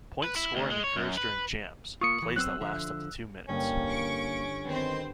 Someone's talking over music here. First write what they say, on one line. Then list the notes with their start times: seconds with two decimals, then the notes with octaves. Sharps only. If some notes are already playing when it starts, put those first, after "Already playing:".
Point scoring occurs during "jams": plays that last up to two minutes.
0.24 B4
0.36 E4
0.56 D2
0.72 G#3
0.84 C#5
0.97 F#2
1.17 B4
2.01 A#3 F4 C#6 D#6 C#7
2.23 E3
2.36 F#3 B3 C4 E6 F#6
2.61 D3 F3 E5
3.49 G1 A#3 C#4 G5
3.88 C#6 D7
4.65 D#3 B3 C4 C5